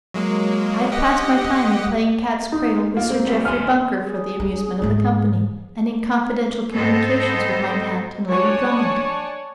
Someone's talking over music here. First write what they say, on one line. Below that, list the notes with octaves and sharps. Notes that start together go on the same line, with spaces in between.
I have passed my time in playing cat's cradle with Sir Jeffrey Bunker for the amusement of the company, and in confidential communications with my aunt and Lady Drummond.
F#3 G#3 A#3
G4 D#5 F#5
D#4
A#3 F4
C4
C3 G3 B3
D#2 G#5 C6 F6
G#4
D4
G#2 G#3
G#2 B3 C4 A4 C5 D#5
D4 C#5 D5 F#5 G#5 A5